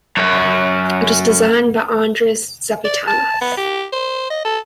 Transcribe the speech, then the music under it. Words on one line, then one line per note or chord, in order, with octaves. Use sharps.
It was designed by Andreas Zapatinas.
F#2 C#5
D5
A5
B3
G4
C5
D#5
A4